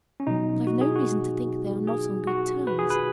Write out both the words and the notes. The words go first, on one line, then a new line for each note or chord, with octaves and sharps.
But I've no reason to think they are not on good terms.
C#4
B2 F#3 D#4
F#4
G#4
F#4
G#4
F#4
B4
G#4
B4